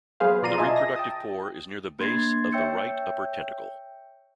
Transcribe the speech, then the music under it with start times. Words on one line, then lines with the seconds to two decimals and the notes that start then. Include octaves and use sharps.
The reproductive pore is near the base of the right upper tentacle.
0.20 F#3 B3 G#4 B4 C5 F5
0.42 B2 F4 D5 A#5 C6 D#7
0.57 F4 D#5 E5 G#5 A5
0.76 A#6
0.96 G5 A5 D#6
1.99 A#3 D4 C6 G#6 A6 C7
2.52 C#5 E5 G5 E6 G6 C#7